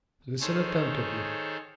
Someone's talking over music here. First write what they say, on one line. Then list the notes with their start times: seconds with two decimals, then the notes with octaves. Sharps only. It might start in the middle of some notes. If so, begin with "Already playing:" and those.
"Listen attentively."
0.41 D#3 G#4 A4 C5 C#5